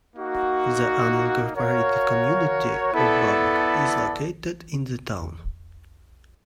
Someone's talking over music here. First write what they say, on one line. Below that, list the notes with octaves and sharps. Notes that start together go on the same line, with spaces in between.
The uninicorporated community of Babcock is located in the town.
A#3 D#4 F#4
F#4 A#4 C#5 F5
B3 E4 A4 D5